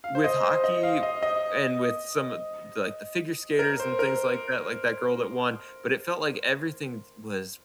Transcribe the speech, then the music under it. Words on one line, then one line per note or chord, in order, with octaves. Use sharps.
With hockey and with some of the, like, the figure skaters and things like that, like that girl that won, but it felt like everything t was
F5
C5
D#5
C5
D#5
F5
D#5
D#5
A#4
C5
A#4